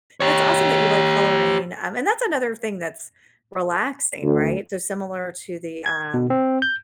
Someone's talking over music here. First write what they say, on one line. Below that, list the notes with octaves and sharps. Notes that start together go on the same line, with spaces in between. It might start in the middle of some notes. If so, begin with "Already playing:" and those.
that's awesome that you like coloring, um, and that's another thing that's relaxing, right? So, similar to the, um
G4 C#5
D2
G#6
B2
C4
G6